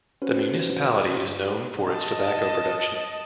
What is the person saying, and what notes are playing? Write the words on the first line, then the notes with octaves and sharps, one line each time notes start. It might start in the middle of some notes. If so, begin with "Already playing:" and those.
The municipality is known for its tobacco production.
C#4 F#4 B4 C5
D#5 A5